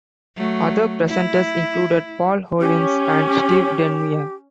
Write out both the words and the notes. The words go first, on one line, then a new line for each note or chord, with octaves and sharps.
Other presenters included Paul Hollins and Steve Denyer.
F#3 A3
E4
C#4 G4